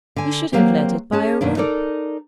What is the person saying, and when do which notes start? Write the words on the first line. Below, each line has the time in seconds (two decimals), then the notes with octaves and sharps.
You should have led it by a rope.'
0.16 D3 G#5
0.53 F#3 A#3 C4 G4
1.12 C#4 G#4 A5
1.41 F#2 B2 D#3 A#3 D4
1.57 D#4 A4 A#4 D5